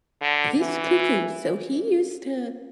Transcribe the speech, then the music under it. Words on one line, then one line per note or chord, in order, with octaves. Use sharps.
He's cuckoo. So he used to
D3
E3